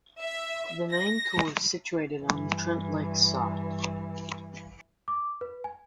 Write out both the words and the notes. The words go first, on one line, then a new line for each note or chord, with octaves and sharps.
The main core is situated on the Trent Lakes side.
E5
A#6
G2 E3
D6
B4
G#5